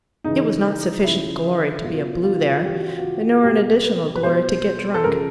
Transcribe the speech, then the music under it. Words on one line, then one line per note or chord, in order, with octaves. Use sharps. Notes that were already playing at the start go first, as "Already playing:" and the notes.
It was not sufficient glory to be a Blue there, nor an additional glory to get drunk.
C#3 E3 D#4
C#3 F3 E4
B2 F#3 F4
F4
C#3 E3 G4
F#4
F4
F#4
B2 F#3 G4
B4
B4
B2 F#3 C5
A4
C#3 F3 A#4